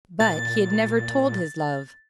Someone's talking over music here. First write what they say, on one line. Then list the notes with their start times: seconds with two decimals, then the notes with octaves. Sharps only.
But he had never told his love.
0.20 A#2 A6